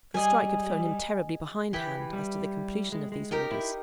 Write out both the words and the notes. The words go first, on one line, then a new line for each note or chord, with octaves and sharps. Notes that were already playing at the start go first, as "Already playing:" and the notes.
The strike had thrown him terribly behindhand, as to the completion of these orders.
G3 G#4 D#5 G#5
E3 E4 G4 B4
G3
G#3
G#3
D#4 G4 A#4
E4